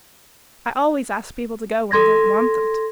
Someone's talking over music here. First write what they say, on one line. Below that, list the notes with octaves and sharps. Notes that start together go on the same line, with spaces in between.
"I always ask people to go when I don't want them to."
A4 C6 G#6 A#6